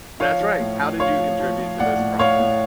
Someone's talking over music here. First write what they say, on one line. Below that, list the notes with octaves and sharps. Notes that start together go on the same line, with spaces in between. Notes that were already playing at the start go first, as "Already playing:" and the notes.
That's right. How did you contribute to this problem?
F3 C#5 F5
F3
A2
F3
F3 C#5 F5
F3
F3
F3
A2 D5 F#5
A2
A2 C#5 F5
A2